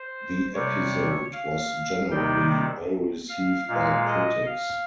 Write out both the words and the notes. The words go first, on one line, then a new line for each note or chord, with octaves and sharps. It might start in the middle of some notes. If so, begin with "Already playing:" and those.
The episode was generally well received by critics.
Already playing: C5
C3 G3 C#5
F5
C3 D#3 G3 G5
F5
A#2 G#3 F5
D#5
F5